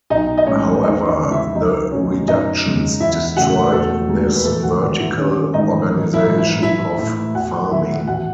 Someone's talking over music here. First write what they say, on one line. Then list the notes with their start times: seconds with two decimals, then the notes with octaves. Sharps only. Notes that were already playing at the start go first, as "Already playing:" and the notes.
However, the reductions destroyed this 'vertical' organization of farming.
0.10 B1 D#4 D#5
0.38 D#5
0.47 A2 E3 G#3 C#4 C#5
0.83 E2 D#4 D#5
1.07 D#4 D#5
1.19 C#3 G#3
1.31 E4 E5
1.55 C#2 D#4 D#5
1.91 B2 F#3 A3 C#4 C#5
2.28 F#2 D#4 D#5
2.64 C#3 G#3
3.00 E2 E4 E5
3.37 C#3 F#3 A3 F#4 F#5
3.72 E1 A3 A4
4.08 D#2 D#3 F#3 G#3 G#4
4.36 B4
4.45 A1 A3 A4
4.63 F#4 F#5
4.81 G#2 D#3 A3 F#4 F#5
5.00 E4 E5
5.18 G#1 C#4 C#5
5.53 G#2 E3 A3 D#4 D#5
5.90 A1
6.14 E4 E5
6.26 G#2 E3
6.38 E4 E5
6.63 A1 E4 E5
6.98 A2 E3 A3 E4 E5
7.35 E2 F#4 F#5
7.64 F#5
7.71 D#3 F#3 A3 E4 E5
8.07 A1 F#4 F#5